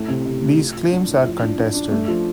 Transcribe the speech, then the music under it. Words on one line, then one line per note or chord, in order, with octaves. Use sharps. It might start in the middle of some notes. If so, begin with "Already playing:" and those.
These claims are contested.
Already playing: A2 A3
C3
C3
A3
F4
F4
D4
A2
F3
D4
D4
D4
A3
F3